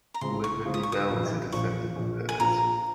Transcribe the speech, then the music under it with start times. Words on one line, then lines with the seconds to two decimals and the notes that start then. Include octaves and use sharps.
Liberty Belle is a descendant of hers.
0.14 A#5
0.21 C#3 G#3 C4 F4 G#4 C6
0.44 C#6
0.65 C#3 G#3 C4 F4 G#4
0.74 D#6
0.83 C#6
0.92 D#6
1.09 A#1 A#2 F3
1.52 A#1 A#2 F3 C#6
1.96 A#1 A#2 F3
2.29 G#5
2.40 A#1 A#2 F3 A#5